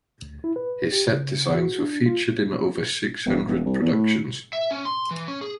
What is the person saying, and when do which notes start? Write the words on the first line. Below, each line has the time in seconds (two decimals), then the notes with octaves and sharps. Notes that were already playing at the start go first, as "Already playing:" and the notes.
His set designs were featured in over six hundred productions.
0.22 D2
0.44 E4
0.56 B4
0.92 G4
1.08 C#3
1.55 F#4
1.79 D4
2.06 F4
3.26 E1
3.47 E1
3.65 C2
3.81 E2
3.93 A2
4.53 E5
4.71 C#4
4.85 C6
5.11 E3
5.28 C#4
5.41 G#4